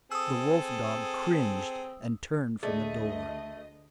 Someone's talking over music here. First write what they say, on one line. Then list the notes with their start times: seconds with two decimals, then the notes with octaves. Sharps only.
The wolf-dog cringed, and turned from the door.
0.12 C4 G#4 A4 D#6 E6
2.63 D2 A3 G#4 D5 D#5